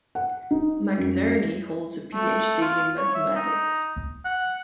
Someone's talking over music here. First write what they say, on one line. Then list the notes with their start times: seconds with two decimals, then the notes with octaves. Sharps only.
McNerney holds a Ph.D in mathematics.
0.15 F#5
0.51 D#4
0.98 F#2
2.14 A3
2.61 F4
2.98 C#5
3.15 E5
3.36 D#4
4.25 F#5